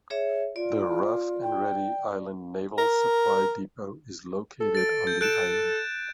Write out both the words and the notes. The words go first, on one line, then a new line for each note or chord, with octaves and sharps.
The Rough and Ready Island Naval Supply Depot is located on the island.
G#4 C#5 E5
F4 D5
G5
A#4
A4
A6 D7
G6
A4 F#6 D7 E7